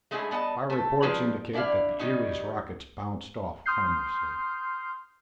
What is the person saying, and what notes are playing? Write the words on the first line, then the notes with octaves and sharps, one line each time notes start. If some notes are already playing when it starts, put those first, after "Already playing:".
Our reports indicate that the Eries' rockets bounced off harmlessly.
G#3 A3 C#4 E4 G4 G#4
G3 B3 D#5 F#5 A5
A3 A4
F3 G3 D#4 G#4 B4 G5
D3 D4 E4 D5 F5
D#3 G3 A3 C#4 D#4
C6 D#6 F6 G6 C7